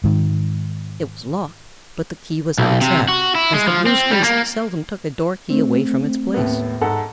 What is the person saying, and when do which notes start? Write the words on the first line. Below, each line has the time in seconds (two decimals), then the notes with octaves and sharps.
It was locked, but the key was outside, as the Blueskins seldom took a door-key away from its place.
0.04 G#2 D#3
2.58 B1
2.81 C3
3.08 F#4
3.35 E4
3.54 G#3
3.68 F3
3.86 C4
4.11 G3
4.24 A#3
5.50 A3 C4
6.34 D#2 A2 B3
6.81 G#2 A4 F#5